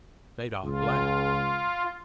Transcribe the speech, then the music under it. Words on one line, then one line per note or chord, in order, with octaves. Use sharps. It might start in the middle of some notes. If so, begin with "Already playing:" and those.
Zadok laughed.
C#2 F4